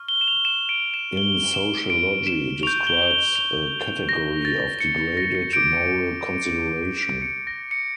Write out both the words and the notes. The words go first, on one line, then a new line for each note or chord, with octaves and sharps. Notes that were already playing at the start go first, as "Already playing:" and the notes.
In sociology, it describes a category of degraded moral consideration.
Already playing: C#6 F6
G7
E7
F7
E7
D7
E7
G7
E7
D7
E7
C#6 G6 F7
G7
G7
F7
A#6
A6
C#7
A#6
C#7
D6 G6 D7
D7
C#7
A#6
C#7